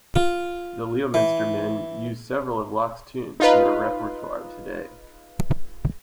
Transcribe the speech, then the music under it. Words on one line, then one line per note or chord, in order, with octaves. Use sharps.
The Leominster men use several of Locke's tunes in their repertoire today.
F4
E3
D#4 F4 B4